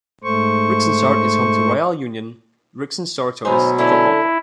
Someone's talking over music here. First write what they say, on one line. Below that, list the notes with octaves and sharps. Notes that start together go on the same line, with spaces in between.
Rixensart is home to Royale Union Rixensartoise football club.
G#2 A3 C5 C#6
D2 B2 F#3 D#4 C5 G#5 B5
D3 C#4 D4 E4